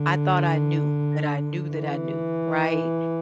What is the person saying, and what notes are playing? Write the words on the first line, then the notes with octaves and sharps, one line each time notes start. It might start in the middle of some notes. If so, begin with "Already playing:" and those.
I thought I knew, that I knew, that I knew, right,
Already playing: D3
E3